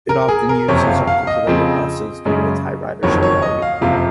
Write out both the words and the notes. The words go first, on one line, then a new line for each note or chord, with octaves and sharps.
It often uses articulated buses due to its high ridership volume.
A#4
G#4
A#4
F#1 F2 C3 C#5
F5
F5
D#5
F2 C#3 F3 C4
F#2 C#3 G#3 C#4
F#1 F2 D#3 F#3 C#5
C#5
D#5
F5
F#1 F2 C3 F3 F5